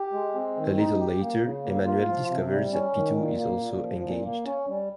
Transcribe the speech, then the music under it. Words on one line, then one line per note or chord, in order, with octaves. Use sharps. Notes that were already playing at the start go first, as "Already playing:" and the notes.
A little later, Emmanuel discovers that Pitou is also engaged.
Already playing: G4
G#3
C4
D#3
D#4
G4
A#3
C#3
A#3
F4
F3
C3
G3
C#4
D#3
A#2
A#3
A#2
F3
A#2
A#3
C#4
G3